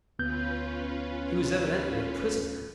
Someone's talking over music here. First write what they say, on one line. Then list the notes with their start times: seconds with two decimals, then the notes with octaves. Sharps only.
He was evidently a prisoner.
0.19 D2 B3 C#4 F4 B4 G6